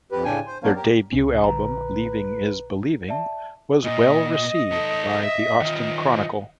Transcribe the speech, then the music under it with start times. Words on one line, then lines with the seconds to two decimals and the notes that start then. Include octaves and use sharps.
Their debut album "Leaving Is Believing" was well received by the Austin Chronicle.
0.12 F2 G4 B4
0.25 A2 C#3 D4 G5 G#5
0.46 C5
0.64 F#3 B3 D4 A#4 C#5 F5
0.76 G4 A#4
1.13 C#2 C3 C#4
1.44 A#1 D3 B4 A#5
3.09 D5 E5 A5
3.84 A#2 D#5
4.72 D#4 A4
5.23 E5
5.62 D#3 F4